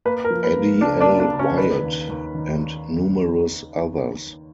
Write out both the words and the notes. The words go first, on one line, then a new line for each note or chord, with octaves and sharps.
Addie L. Wyatt, and numerous others.
A#3 B4
A#4
F3
B4
A#3
C#2 D4 D5
D4 D5
A#3
D4 D5
C#2
C#4 C#5
D#3 B4
D#2
D#2
D#3